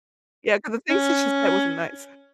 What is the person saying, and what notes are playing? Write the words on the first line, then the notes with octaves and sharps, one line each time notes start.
Yeah, ‘cause the things that she said wasn't nice.
C#4